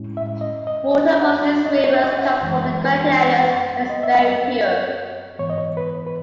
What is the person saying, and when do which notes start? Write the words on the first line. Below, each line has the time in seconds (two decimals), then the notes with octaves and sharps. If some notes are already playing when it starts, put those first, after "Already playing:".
Water from these rivers come from the granitic areas and is very pure.
Already playing: A2 G#3 C#4 E4
0.17 E5
0.41 D#5
0.67 D#5
0.91 D#5
1.22 F#5
1.29 E5
1.66 D#5
1.78 D#5
1.85 C#5
1.95 E5
2.04 D#5
2.17 F#5
2.22 E5
2.41 F#2 E3 G#3
3.90 D#5
4.03 E5
4.17 D#5
4.65 C#5
5.39 G#2 E3 B3 C#5
5.50 D#5
5.58 C#5
5.77 B4
6.07 B4